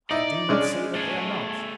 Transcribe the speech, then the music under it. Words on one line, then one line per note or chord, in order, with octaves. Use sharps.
"I do not say that they are not."
D#4 E4 D5
C#3 G#3 D4
A3 G#4